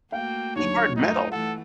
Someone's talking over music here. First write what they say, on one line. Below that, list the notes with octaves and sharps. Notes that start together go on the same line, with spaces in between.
hard metal.
A3 A#3 F#4 F5 G5
D#2 D3 F#3 C#5
G2 A3 D#4 F4
E3 A3 A4 F#5